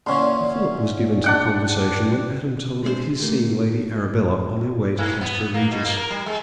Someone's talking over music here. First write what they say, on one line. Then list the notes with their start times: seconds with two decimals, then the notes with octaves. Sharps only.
A fillip was given to the conversation when Adam told of his seeing Lady Arabella, on her way to Castra Regis.
0.06 A#2 D3 E3 C#4 C6
1.24 D4 F#5 G5
2.83 G#3 C4 D4 E4 C5
3.19 A3 A#3 G4
4.99 G#2
5.21 B3
5.41 B3
5.54 A#3
5.71 B2
5.85 A#3
5.98 A#4
6.10 G3
6.26 G#3